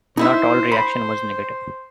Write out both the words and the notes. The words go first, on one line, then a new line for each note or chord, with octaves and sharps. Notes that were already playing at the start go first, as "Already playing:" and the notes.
Not all reaction was negative.
D#4 E4 C5 E5
B5